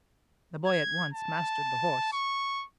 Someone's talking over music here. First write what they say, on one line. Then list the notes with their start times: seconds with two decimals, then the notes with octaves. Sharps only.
The boy at once mastered the horse.
0.67 G#6
1.13 A5
2.13 C#6